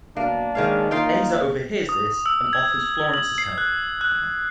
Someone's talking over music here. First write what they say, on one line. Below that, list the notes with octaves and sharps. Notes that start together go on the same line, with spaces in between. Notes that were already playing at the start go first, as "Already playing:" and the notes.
Asa overhears this and offers Florence his help.
B2 A#3 D4
D#3 G#3 C#5 F5
A#3 D#4 F4 F5 G5
D#6
E6
G#6
F#7
C7
F#6
F#6